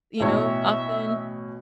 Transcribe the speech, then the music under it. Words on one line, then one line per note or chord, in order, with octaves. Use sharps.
you know, often,
A1 B2 C#5 E5